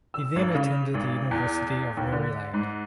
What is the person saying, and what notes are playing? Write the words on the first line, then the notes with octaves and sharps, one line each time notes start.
He then attended the University of Maryland.
E6
G#1
C#3
G#1
E2
D#2
D3
G#2